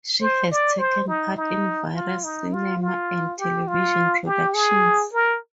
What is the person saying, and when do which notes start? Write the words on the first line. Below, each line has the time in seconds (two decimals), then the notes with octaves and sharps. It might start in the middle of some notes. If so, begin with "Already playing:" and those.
She has taken part in various cinema and television productions.
0.21 C5
0.51 D5
0.79 C5
1.08 D#4
1.37 D#4
1.95 F4
2.24 D#4
2.53 F4
2.82 F4
3.39 G4
3.68 F4
4.26 G4
4.54 G#4
5.13 A#4